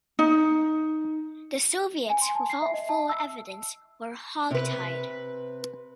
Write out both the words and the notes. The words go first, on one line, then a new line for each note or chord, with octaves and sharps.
The Soviets, without full evidence, were "hog-tied".
D#4
G#5
C6
A5
C7
E5
D#5
A5
E6
C3 B4